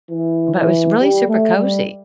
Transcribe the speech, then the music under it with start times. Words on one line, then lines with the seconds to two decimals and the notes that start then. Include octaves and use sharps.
but, it was really super cozy
0.11 E3
0.55 E3
0.99 G3
1.28 A3
1.57 G3